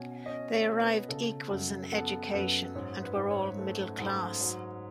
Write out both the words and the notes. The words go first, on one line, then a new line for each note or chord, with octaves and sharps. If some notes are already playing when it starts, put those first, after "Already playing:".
They arrived equals in education and were all middle class.
Already playing: B2 C#4 G#5
C#4 D#5
C#5
B2
B4
C#3 A4
F#2
B3 A4
F#2 B4
G#2 C#5
B4
G#2
C#5
A3
G#2
F#3